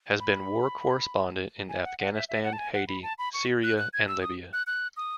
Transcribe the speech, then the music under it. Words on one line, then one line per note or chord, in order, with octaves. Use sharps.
Has been war correspondent in Afghanistan, Haiti, Siria and Libya.
B5
G#5
F#5
F#5
E5
E5
F#5
A5
G#5
F#5
B5
A5
B5
C#6
F#6
F#6
G#6
E6
D#6
F#6
F#6
D#6